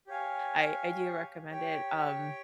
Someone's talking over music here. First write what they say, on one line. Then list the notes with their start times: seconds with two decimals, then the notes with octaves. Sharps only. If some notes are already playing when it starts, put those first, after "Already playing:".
I I do recommend it, um,
0.07 G4 C#5 F5 G#5
1.50 G4 C#5 G5